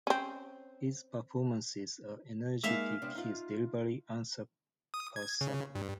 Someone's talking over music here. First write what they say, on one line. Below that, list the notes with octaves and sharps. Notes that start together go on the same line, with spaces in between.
His performances are energetic, his delivery unsurpassable.
C4 C#4
G#3 A#3 D#4 E5 F5
C3 B3 D4
D#4 F4
D#6
G#6
C#3
G2